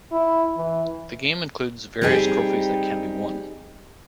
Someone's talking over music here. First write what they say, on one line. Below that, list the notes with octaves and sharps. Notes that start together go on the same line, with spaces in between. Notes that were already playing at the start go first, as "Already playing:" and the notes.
The game includes various trophies that can be won.
E4
E3
G3 C4 D#4 G4 G#4